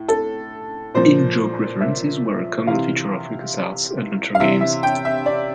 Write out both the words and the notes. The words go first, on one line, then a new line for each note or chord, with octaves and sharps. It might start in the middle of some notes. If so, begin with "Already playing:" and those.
In-joke references were a common feature of LucasArts adventure games.
Already playing: A2
A4
A#2 F3 C5
E5
C3 E3 F5
F5
C3 E3 E5
E5
G5
E5
D5